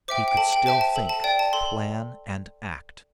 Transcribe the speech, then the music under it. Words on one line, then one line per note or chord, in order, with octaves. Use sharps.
He could still think, plan, and act.
C5 E5 G5 D6
G5
A4 A5
G5
C5 E5 G5 A5
A5
A4
A5
D5 G5
A5
A4 C6